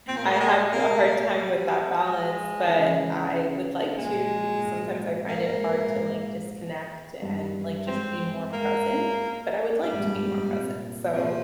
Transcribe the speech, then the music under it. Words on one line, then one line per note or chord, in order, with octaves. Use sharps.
I have a hard time with that balance, but I would like to because sometimes I find it hard to, like, disconnect and, like, just be more present, but I would like to be more present. So,
A#2 C4
A#3
G#3
A#3
G#3
C3 A#3
G3
G#3
E3
C#3
E3
C#3
A#2 G#3
A#2
G#2
G#2 A#3
G#2
A#2
G#2
G2
G#2 C4
G#2 A#3
A#2 G3
G#2
G2
G#2
A#2
C3
A#2
A#2
C3 F3